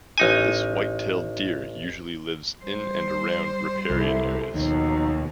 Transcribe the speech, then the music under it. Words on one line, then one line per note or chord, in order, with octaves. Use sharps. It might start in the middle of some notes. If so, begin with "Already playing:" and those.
This white-tailed deer usually lives in and around riparian areas.
A1 D#4 G#5
G3 C5
C2 E4 A4
D#2 B2 F3 F#3 D#4